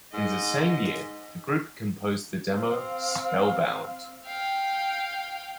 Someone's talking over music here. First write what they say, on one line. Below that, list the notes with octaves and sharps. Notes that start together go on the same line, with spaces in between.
In the same year, the group composed the demo "Spellbound".
G#2 D#5
C4 F5
F5 G5